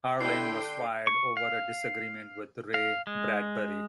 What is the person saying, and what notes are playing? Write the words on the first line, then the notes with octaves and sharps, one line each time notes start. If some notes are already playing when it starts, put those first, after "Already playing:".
Harlin was fired over a disagreement with Ray Bradbury.
D3 D4 E4 G4 G5 C6 C7
C#6
F5
F5
G#3